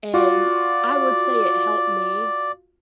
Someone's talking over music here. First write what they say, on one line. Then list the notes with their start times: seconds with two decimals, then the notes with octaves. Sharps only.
and I would say it helped me
0.14 F4 F#4 D5